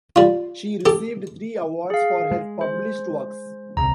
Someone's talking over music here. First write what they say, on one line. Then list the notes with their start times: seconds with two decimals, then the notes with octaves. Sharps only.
She received three awards for her published works.
0.16 G3 F4
0.86 G4 A4
1.90 G#4 F5
2.31 G#3
2.61 C5
3.77 D#1 C2 A#5